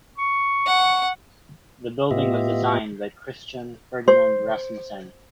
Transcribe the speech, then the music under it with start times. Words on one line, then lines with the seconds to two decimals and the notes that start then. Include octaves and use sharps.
The building was designed by Christian Ferdinand Rasmussen.
0.18 C#6
0.66 F#5
2.11 A2 B3 F4 G4 D#5 E5
4.08 C5